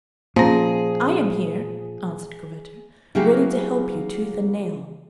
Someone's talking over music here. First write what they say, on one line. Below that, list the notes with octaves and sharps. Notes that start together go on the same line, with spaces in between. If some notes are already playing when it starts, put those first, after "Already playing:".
"I am here," answered Corvetto, "ready to help you tooth and nail."
A#2 F3 A#3 C#4 G#4 A#5
C#3 F#3 A#3 E4 G4 G#4